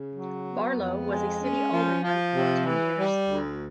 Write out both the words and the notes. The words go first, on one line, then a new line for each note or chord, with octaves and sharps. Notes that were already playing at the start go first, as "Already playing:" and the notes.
Barlow was a city alderman for ten years.
Already playing: C#3
F#3
B3
F2
G#3
C#4
F3
F3
C3
E3
G3
D2